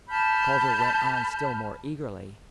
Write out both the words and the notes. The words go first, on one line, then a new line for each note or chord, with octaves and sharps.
Calder went on still more eagerly.
A5 B5 F6 G6